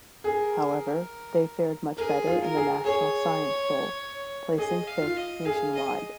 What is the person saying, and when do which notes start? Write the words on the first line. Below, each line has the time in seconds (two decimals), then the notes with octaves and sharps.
However, they fared much better in the National Science Bowl, placing fifth nationwide.
0.24 G#4 A#4
1.98 G#4 A#4
2.27 F4
2.42 A#4
2.56 G#4
2.85 G#4 C#5
4.58 G#4 D#5
4.87 F5
5.02 F4
5.16 D#5
5.45 G#4 F5
5.75 D#5